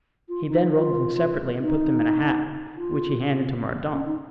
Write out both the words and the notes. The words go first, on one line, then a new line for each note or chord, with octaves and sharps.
He then rolled them separately and put them in a hat, which he handed to Mordaunt.
F4
D#4
F4
D#4
F4
C#4
D#4